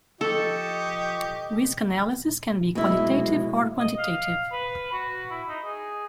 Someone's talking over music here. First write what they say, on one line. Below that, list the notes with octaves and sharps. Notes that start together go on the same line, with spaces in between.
Risk analysis can be qualitative or quantitative.
F3 G4 A4 D#5 C#6
F1 B1 B2 G#3 E4
D#5
F5
B4
F#4
E4
D#4
G#4